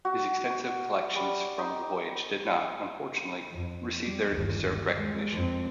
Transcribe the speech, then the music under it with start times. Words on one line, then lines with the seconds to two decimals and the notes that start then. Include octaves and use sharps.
His extensive collections from the voyage did not, unfortunately, receive their deserved recognition.
0.05 F#4
1.15 G3
1.58 D#4
3.51 F2
4.04 G3
4.33 G1 D#2
4.67 D#2
4.96 G#3
5.32 F2 C4